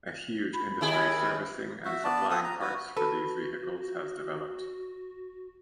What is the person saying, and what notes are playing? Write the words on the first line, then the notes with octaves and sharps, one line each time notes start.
A huge industry servicing and supplying parts for these vehicles has developed.
B5
D#2 E4 G#4
F#4 E5
B3 D4 D5 A5
C4 A4 D#6
A#5
F#4 B4
F#4 A4 B4